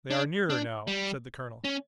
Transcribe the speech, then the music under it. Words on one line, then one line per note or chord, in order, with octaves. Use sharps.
"They are nearer now," said the Colonel.
D4
D4
G3
C#4